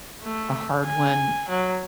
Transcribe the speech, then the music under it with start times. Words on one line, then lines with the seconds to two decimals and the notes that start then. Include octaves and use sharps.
a hard one
0.23 A3
0.85 G#5
1.49 F#3